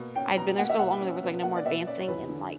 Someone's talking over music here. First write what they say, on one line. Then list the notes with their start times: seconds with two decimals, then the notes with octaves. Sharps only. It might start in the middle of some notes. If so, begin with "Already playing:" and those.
I'd been there so long there was, like, no more advancing and, like,
Already playing: B2 A#3
0.15 C#4 G5
0.37 B2 A#5
0.58 A#3 F#5
0.70 E5
0.79 B2 F#5
1.01 C#4
1.23 B2
1.43 A#3 F#5
1.56 D5
1.65 B2 E5
1.86 C#4 D5
1.99 C#5
2.08 E2 B4
2.30 D3